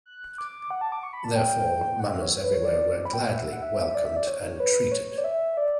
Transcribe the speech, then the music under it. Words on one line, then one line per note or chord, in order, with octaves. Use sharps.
Therefore, mummers everywhere were gladly welcomed and treated.
F#6
D6
F#5
A5
D6
C#6
B5
A5
G5
F#5
E5
C#5
C#5
B4
C#5
D5
D5
B5
G5
F#5
E5
F#5
E5
D5
E5
D5
C#5
C#5
B4
C#5
D5
E5
D5